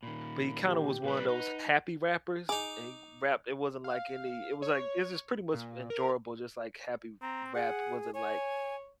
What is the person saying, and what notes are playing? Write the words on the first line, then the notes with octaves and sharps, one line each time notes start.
but he kinda was one of those happy rappers, and he rapped it wasn't, like, any it was, like, it was just pretty much enjoyable, just, like, happy rap, wasn't, like,
A#2 D#3 B5
G4
A#2 G3 B4
D#4 F#5
D#4 G#4 D6
F5
C#5
A#2
A#4
C4 A#5
G#4 F#5
C#5 G#5